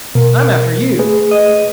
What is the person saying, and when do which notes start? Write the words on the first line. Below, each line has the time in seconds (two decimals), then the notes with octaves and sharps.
"I'm after you."
0.15 B2 A#4
0.99 A3 G#4 B4
1.31 D#5